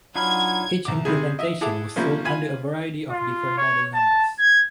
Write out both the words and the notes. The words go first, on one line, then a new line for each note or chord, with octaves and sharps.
Each implementation was sold under a variety of different model numbers.
F#3 D4 D#4 F4 F#5 B5 F6 G#6
C2 D6
C3 G3 G#4
D#5 E5
E4 G#4 A4 F#5 D6
C3 F3 G3 A#3 C#4
F4 G#5 B5
F4
C#5
A5
G#6